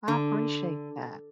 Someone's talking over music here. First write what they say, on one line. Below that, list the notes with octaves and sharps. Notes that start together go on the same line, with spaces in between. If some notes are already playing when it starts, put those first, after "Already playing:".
I appreciate that.
D3